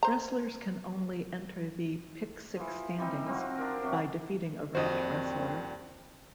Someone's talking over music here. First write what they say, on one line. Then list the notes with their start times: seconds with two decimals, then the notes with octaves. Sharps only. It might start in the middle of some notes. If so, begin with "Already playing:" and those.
Wrestlers can only enter the Pick Six Standings by defeating a ranked wrestler.
0.03 C5 A#5
2.56 E3 F3
2.98 E3 G3 C4 D#4
3.26 C4 F4 F#4
3.58 D4 A#4
3.82 C3 F#3
4.75 F2 A#2 G3 C4 F#4 C5 D#5